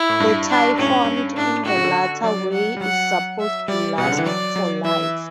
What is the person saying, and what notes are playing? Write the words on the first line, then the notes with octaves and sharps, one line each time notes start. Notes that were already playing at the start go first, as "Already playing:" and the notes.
The tie formed in the latter way is supposed to last for life.
Already playing: E4
A2
G2
D4
A2 C#4
G2
G2
A2 D4
A2 F#4
C#3
D3
F#3 D5
F#5
G3
F#3 F#5
E5
G3 D5
B2 F#5
C#3
D3
E3
F#3 D5
F#3
E3 E5